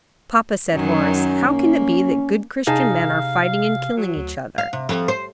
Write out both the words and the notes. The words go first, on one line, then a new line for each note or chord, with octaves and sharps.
"Papa," said Horace, "how can it be that good Christian men are fighting and killing each other?"
F#2 D#3 F#3 C#4
A#3
C3 D#4 G#4 F5 A5
F#3
D2
F5
C3
F2
C5